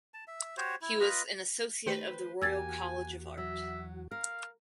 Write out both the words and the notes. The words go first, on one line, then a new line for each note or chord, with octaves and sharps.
He was an associate of the Royal College of Art.
A5
E5
F#4 G4 C5 C#5
E4
F4 B4 D#5
D#3 A3 G4 B4 C5
E2 A#3 F#4 G4 G#5 E6 G#6 A6
F#3 E5
A#4 F5